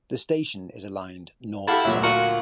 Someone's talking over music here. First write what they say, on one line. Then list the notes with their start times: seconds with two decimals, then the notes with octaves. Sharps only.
The station is aligned north-south.
1.68 E4 G4 A4 F5 F#5 A5
1.84 D2 A#2 F#3 E5
2.03 F4 F#4 A#4